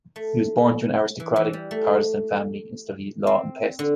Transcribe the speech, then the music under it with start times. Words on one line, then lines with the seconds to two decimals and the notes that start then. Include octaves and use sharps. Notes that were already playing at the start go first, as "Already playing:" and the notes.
He was born to an aristocratic Protestant family, and studied law in Pest.
0.16 A3
1.20 E3
1.36 E3
1.53 G3
1.71 A3
3.27 C4
3.79 D3